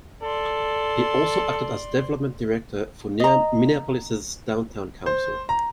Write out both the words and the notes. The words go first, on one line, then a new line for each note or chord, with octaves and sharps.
He also acted as Development Director for Minneapolis's Downtown Council.
A4 D5 C6
D#5 A#5
C5
A#5